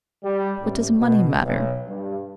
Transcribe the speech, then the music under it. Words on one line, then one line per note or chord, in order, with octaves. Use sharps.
What does money matter?
G3
A1
B2
B1
G2